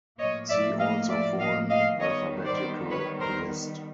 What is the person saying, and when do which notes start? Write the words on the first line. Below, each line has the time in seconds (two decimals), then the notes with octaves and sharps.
See also for an alphabetical list.
0.18 A2 F3 A#3 C#5 D#5
0.49 D5 E5
0.79 D#5 F5
1.09 D5 E5
1.39 D#5 F5
1.69 D#5 F5
2.00 D#3 G3 B3 C#5 D#5
2.45 C5 D5
2.90 B4 C#5
3.20 A#4 C5